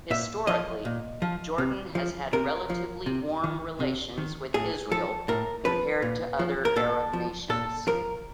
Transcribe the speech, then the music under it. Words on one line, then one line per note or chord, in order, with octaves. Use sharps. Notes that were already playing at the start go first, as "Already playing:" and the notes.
Historically, Jordan has had relatively warm relations with Israel compared to other Arab nations.
A#2 E5
F3 D#5
A#2
F3
C3
F3
C3 A#4
F3
C3
D#3
C3
D#3
A2 G#4
F3 A4
A2 A#4
F3 B4
A#2
F3
A#4
A#2 A4
F3
A#2 A4
F3 A#4